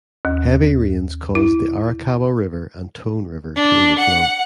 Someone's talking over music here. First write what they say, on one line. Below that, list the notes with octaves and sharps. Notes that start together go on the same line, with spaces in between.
Heavy rains caused the Arakawa River and Tone River to overflow.
D#2
E4
D4
F#5